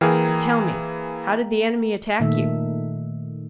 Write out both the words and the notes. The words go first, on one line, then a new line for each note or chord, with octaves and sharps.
"But tell me, how did the enemy attack you?"
E3 A#3 G#4 F5 G5
A#2 D#3 A3 E5